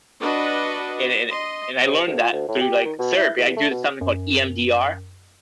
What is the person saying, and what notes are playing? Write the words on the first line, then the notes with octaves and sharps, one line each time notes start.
and and and I learned that through, like, therapy. I do something called EMDR,
D4 F#4 B4 D#5
D#5 C6
C3
D2
F4
D2
A2
G4
D#3
B2
E4
E2
A3
B2
F#2